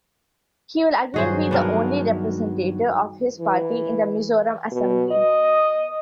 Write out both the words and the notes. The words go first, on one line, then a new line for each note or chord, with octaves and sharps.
He will again be the only representative of his party in the Mizoram Assembly.
G2 D#3 F#3 F#4 G#4 C5
B3 D4 A#4
E3
B2
D#5